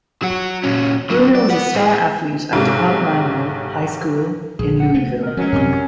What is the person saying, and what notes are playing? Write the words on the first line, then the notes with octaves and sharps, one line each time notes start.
Bruner was a star athlete at duPont Manual High School in Louisville.
F#3 F#4
A#2 C#4
D3 F#3
D5
B4 F#5
A2 G#4
B1 G#2 C3
A#1 G#4
F#5
A3 B3 C4
A#4 D#5
F3 F#3 G#3 C#4
F#2 C3 D#3 C4 G4 A#4